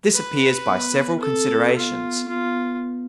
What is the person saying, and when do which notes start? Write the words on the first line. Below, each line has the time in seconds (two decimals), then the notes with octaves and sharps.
This appears by several Considerations.
0.15 B4
0.68 B3
1.21 C4 A4
1.75 B3 F4
2.28 B3 F4